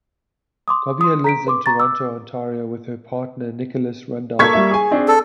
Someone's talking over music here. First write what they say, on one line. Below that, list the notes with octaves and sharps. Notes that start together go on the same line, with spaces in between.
Govier lives in Toronto, Ontario with her partner Nicholas Rundall.
C6 D6 D#6
C6 D#6
A#5 B6 D7
B4 C6 D6
A#5 C#6 A6
D6 E6
A#3 A4 C#6 G#6 B6
G3 A#3 E5
G#4 G#5
C4 D4 G#4
A4